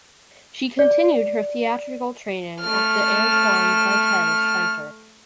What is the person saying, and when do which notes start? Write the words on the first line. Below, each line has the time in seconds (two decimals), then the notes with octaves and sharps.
She continued her theatrical training at the Antoine Vitez Center.
0.79 D5
2.61 A3 F6